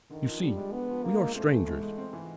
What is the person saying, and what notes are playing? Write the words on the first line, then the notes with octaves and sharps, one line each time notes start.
"You see, we are strangers."
D3 D#3
F3
D3 G3
G#3
D3 B3
F3
D3 A#3
G#3
A3 C4
E3
G#2
G#3
C4
E3